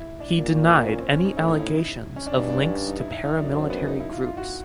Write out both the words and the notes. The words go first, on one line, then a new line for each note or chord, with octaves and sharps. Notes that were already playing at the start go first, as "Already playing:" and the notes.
He denied any allegations of links to paramilitary groups.
Already playing: E4
D4
A#2
C#4
C4
C#4
D#4
A2 E4
D#4
E4
C#4
D4
G2 D#4
D4
C#4
D4
D#4
E4
D#4
E4
D#4
F#2 D4
C4
B3
D#4
E4
F4
F4
F#4